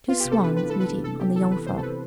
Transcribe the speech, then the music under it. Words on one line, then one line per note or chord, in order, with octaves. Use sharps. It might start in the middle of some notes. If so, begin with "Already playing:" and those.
Two swans meeting on the Jungfrau.
B3 F4
C3 G4
A4
D4 B4
E3 B4
B3 A4
B4
D4
C3 A4
B3 G4
E3 A4
E3 B4
C3 C5
A4
E3 B4